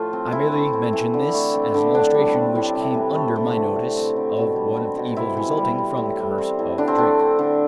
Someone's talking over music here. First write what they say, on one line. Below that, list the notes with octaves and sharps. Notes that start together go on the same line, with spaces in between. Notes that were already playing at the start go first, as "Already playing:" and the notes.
I merely mention this as an illustration which came under my notice of one of the evils resulting from the curse of drink.
Already playing: A2 F3 A3 F4
C4
E3 E4
A3
C4
E3
D3
A3
C4
D3
A2 D4
G3
C4
A2
C3
E3
A3
C3
D3
A3
C4
D3
B2
G3
C4
B2
C3 E4
E3
G3
C4
A2
G3
C4
A2
D3 D4
C4
A3 D4
C4
D3